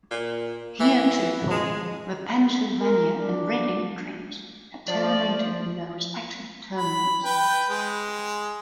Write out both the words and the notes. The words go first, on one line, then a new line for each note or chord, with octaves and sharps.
Heretofore the Pennsylvania and Reading trains had terminated in their respective terminals.
A#2
E3
G#3
A#4
D4
F3 D5
B5
B4 G5
G#3